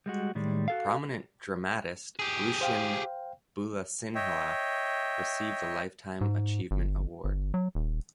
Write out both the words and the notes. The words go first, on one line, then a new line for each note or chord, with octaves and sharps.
Prominent dramatist Lucien Bulathsinhala received the Lifetime Achievement Award.
G3 G#3 F#4
A2 D#3 G3 G#3
F#4 A4 F5
G4 G#4
C5 F5 G5
C#5 D#5 E5 G5
G#2
G1
G1
F#3
D#1